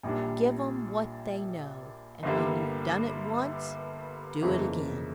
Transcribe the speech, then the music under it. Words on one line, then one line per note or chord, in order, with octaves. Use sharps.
'Give 'em what they know, and when you've done it once do it again.'
A#1 A#2 G3 D4
G1 G2 D3 G3 A#3
G1 F2 C#3 E3 A#3